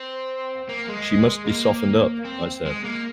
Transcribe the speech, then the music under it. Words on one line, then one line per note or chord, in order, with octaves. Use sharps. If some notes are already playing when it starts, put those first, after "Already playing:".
"She must be softened up," I said.
Already playing: C4
A#3
G#3
A#3
C4
G#3
A#3